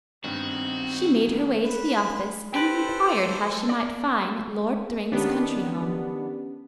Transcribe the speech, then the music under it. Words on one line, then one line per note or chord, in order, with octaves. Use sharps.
She made her way to the office and inquired how she might find Lord Thryng's country home.
G2 B2 D#3 C4 F#4
B4
G4 A4 B4 C5
D5
D#3 B3 C#4 D4 G4